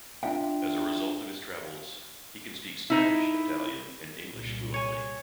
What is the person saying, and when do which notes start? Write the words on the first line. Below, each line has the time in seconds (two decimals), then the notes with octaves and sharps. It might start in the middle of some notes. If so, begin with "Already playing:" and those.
As a result of his travels, he can speak Spanish, Italian and English fluently.
0.23 D4 F4 D5 E5 F#5 G5
2.90 D#4 E4
4.30 C2 A#2
4.74 C#5 G#5